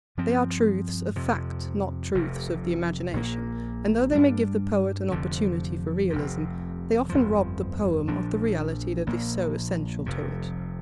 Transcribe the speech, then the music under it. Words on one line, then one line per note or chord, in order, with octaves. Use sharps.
They are truths of fact, not truths of the imagination, and though they may give the poet an opportunity for realism, they often rob the poem of the reality that is so essential to it.
G2 F3 C4
F2 C3 F3
F1 F2 C3
A#1 A#2 F3 A#3
G2 G3 D4
F1 F2 D3 F3
F1 F2 C3
G1 F2 F3
A#1 A#2 F3 D4
A#1 A#2 A#3
F1 F2 C3